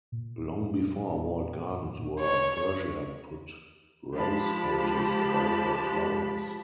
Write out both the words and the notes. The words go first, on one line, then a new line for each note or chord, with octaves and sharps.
Long before walled gardens were, Persia put rose hedges about her flowers.
A#2
C#5
F3 G#3 G4 A5 B5